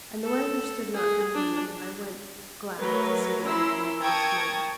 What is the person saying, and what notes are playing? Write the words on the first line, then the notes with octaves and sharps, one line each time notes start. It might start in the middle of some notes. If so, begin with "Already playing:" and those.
And, though I understood not her meaning, I went, glad to see the Red Room once more.
A4
G#4
D4
F#3 A3 A#4 B4 C#5
C#4 E4 A#4 C6 E6
A#4 G5 A5 C#6 D#6 G#6